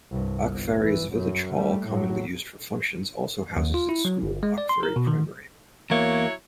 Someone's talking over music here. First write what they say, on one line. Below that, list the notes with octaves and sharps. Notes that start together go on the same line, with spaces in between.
Achfary's village hall, commonly used for functions, also houses its school, Achfary Primary.
C2 G2
G1
E3
F#2
G3 A3
A2 F#3
D#2
F4
E4
F#3
G1
G#3
D5
C6
A#4
B2
D#3
E2 F#3 A#3 E4 C#5